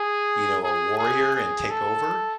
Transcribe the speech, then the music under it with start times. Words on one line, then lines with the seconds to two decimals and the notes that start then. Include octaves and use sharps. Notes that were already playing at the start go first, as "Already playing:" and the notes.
you know, a warrior and take over,
Already playing: G#4
0.64 G#4
0.99 G#4
1.35 G#4
1.70 A4